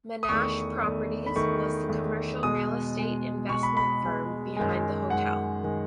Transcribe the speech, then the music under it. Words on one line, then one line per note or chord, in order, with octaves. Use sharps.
Menashe Properties was the commercial real estate investment firm behind the hotel.
D#6
E2 D#3 A3 C#6
E2 D#3 A3
B5
E2 D#3 A3 C#6
E2 D#3 A3
B2 G#3 D#6
B2 G#3
B2 G#3 C#6
B5
B5
B2 G#3
F#2 D#3 G#3
F#2 D#3 G#3 F#5
D#3 G#3